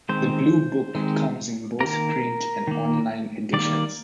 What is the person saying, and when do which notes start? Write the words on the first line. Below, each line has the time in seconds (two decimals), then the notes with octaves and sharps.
The "Blue Book" comes in both print and online editions.
0.09 D#3 G#3 C4 C5
0.95 D#3 G#3 C4
1.80 D#3 A#3 A#4
2.67 D#3 A#3
3.53 D#3 G3 A#3 D5